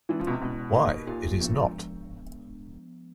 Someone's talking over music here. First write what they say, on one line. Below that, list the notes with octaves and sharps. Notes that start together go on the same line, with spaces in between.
Why, it is not!
E3 G#3 C#4 E4
F3
B2
C3
B2 G#3 C#4 E4
A#3 D#4 G4 A#4
A#2 A#3 D#4 G4 A#4
F3 G#3 B3 D4